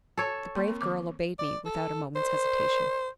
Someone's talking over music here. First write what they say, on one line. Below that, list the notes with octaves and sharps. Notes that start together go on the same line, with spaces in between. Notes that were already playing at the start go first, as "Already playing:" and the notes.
The brave girl obeyed me without a moment's hesitation.
A4 C#5
A#3 C6
C4 A#4
D#3 D6
D5
A4
C5